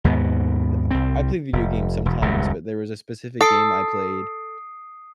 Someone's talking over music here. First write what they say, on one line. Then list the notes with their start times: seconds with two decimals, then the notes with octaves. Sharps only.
d ah, ah, I play video games sometimes, but there was a specific game I played,
0.04 D#2 G#2 B2 B3
0.91 C2 C4
1.53 F1
2.05 E1
2.21 D#1 C#2 F#2 C#3
3.41 A4 D#6 C7 D7